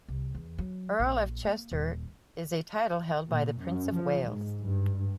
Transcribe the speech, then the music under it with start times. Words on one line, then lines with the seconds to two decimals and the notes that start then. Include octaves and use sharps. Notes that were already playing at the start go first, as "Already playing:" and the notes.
Earl of Chester is a title held by the Prince of Wales.
0.08 C2
0.35 E2
0.58 F#3
1.00 A#1
1.44 A#3
1.72 D#1
3.28 A#2
3.61 F#2
3.94 F3
4.26 G#2
4.63 G2